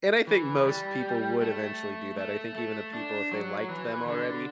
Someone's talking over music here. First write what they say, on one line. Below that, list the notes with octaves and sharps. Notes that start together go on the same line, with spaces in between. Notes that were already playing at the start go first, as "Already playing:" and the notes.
And I think most people would eventually do that. I think even the people, if they liked them already,
E3
G3
A3
A3
A3
D4
F#3
E3
D3